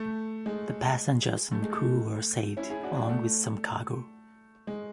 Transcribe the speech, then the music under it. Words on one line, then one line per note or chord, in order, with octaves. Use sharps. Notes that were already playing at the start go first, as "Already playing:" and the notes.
The passengers and crew were saved, along with some cargo.
Already playing: A3
G#3
A3
G#3
A3
C#4 E4
E4 G#4
D4 F#4
D4 F#4
A3
G#3